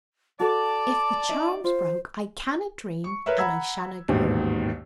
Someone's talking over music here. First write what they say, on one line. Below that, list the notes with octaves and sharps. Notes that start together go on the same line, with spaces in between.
'If the charm's broke, I canna dream, and I shanna go.'
F#4 A4 D5 A5
D#4 E5
F4 C5
C#6
A#4 B4 C#5 E5
F#5 A#5 B5 E6 G#6
A1 D#2 G#2 B2 D#3